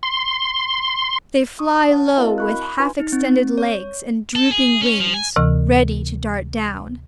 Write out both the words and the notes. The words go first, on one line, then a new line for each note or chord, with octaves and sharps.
They fly low with half-extended legs and drooping wings, ready to dart down.
C6
C#6 D#6
C#5 F#5 A5
C4 E4 F#4 A#4 D#5 F5
B5 C#6 F#6
D4 D#4 F4 B4 G#5 C6
D#4
C4
C#5
A4
G#4
C#4
F3
G#5
D2 C3 E3